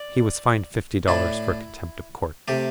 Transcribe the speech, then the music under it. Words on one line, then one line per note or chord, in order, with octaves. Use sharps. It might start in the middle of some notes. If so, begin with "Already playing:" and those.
He was fined fifty dollars for contempt of court.
Already playing: D5
A2 A3 D4 E4
C3 A3 G4